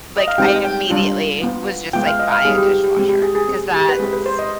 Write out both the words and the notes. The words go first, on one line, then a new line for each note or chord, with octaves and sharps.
like, I immediately was just like, "Buy a dishwasher." 'Cause that's
D#5
F5
G#3 C4 D#4 G4 G5
G5
G3 D4 F4
B3 F4
G#3 B3 F4 G5
F5
D#5
F5
G3 B3 D#4 G4 G#4
G4
G4
G#3 C4 G4
G4
G#4
G#4
C4 G4
G4
B4
G#3 C4 G4 G#4
B4
C5
D#5